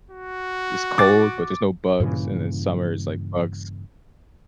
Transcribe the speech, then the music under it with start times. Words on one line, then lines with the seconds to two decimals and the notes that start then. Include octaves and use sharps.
is cold, but there's no bugs, and then summer is like bugs.
0.10 F#4
0.98 D6 A6
2.00 G2 A#2 C#3 E3